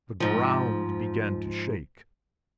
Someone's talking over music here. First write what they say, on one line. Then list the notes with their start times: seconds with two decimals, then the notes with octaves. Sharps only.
The ground began to shake.
0.20 G#2 F3